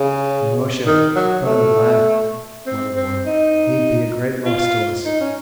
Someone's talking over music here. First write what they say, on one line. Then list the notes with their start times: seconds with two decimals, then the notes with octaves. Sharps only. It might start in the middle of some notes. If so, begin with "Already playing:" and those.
"Musha, but I 'm glad," muttered one; "he 'd be a great loss to us."
Already playing: C#3
0.86 D#3
1.15 F#3
1.46 A3
2.66 C4
2.96 C4
3.26 D#4
4.45 F4
5.06 D#4
5.21 C#4